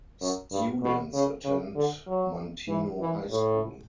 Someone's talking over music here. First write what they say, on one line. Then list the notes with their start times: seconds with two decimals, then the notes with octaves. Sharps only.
Students attend Manteno High School.
0.21 F#2
0.52 G2
0.83 B2
1.13 C#3
1.44 C#3
1.76 D3
2.07 F#3
2.68 E3
3.00 E3
3.30 A2